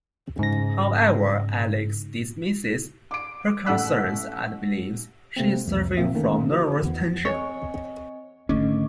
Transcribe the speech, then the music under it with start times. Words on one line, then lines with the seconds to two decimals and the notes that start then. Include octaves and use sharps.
However, Alex dismisses her concerns and believes she is suffering from nervous tension.
0.39 G#2 C#3 A#6
3.11 D6 D7
3.66 A1 A3 F#5 E6 F#6 B6
5.36 C3 A3 A#3 C4
5.67 C2 F2 F3
5.97 G1 A#2 A#3 C4 E5
6.15 D#3 A3 A#3 C#4
6.51 F#4 C5
6.82 E2 E3 B3
7.25 C4 C#5 D#5 G#5
8.49 G#1 D3 A3 C#4 D#5 C#6 D6